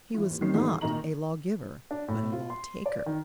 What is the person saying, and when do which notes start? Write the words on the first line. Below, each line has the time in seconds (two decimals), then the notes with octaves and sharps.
He was not a law-giver, but a law-taker.
0.14 E3 F4
0.30 D#2
0.41 D#3 C4 C#4 C7
0.54 D#3 E3 F#3 G3 A3 D#4
0.81 D2 A#2 D#3 D#5 A#5 F#7
1.91 D4
2.08 A2
2.32 F4
2.50 C6
2.86 D5
3.06 D#3